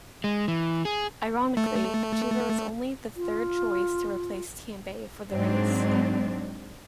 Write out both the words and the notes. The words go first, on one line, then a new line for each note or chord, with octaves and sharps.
Ironically, Cheever was only the third choice to replace Tambay for the race.
G#3
E3
G#4
A3
F4
G#2 F#3 G#3 C4 D4